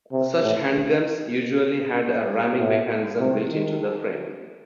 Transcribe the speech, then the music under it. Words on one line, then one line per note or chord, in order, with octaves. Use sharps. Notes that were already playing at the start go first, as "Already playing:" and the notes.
Such handguns usually had a ramming mechanism built into the frame.
C3
A2
A2
C3
D#3